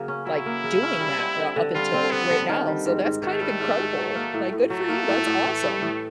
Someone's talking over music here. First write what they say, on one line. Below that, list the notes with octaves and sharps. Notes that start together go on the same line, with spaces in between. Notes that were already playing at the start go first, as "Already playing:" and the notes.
like, doing that, uh, up until right now, so, that's kind of incredible, like, good for you, that's awesome.
Already playing: C#3 F#3 A#3
C#4
F#3 E4
A#3
C#3
C#4
G3
C4
D3
D3
G3 F4
C4
D3 B3
D3
D#3
G3
G#2
G#2
D#3 A3
G3
G#2
G#2
F#3
A#3
A2
A2
F#3 A3
A#3
A2
A2
E3
G3
A2